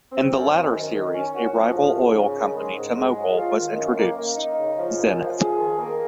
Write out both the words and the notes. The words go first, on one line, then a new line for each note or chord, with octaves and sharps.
In the latter series, a rival oil company to Mogul was introduced - Zenith.
C4
F#2
F#2
D#3
D#3
C#4
F#4
F3
G#2
C#3
C#3
D#3
G#3
G#2
G#3
F#3
F4
D#3
F#2
A#3
A#3
D#4
C#3
F3
F#2
F3
G#4
D#3
A#3